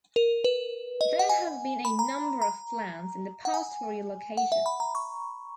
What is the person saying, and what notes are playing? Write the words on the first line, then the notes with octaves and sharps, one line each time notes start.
There have been a number of plans in the past for relocation.
A#4
B4
D#5
F#5
G#5
B5
A#5
A#5
F#5
G#5
F#5
E5
B5
A#5
C#6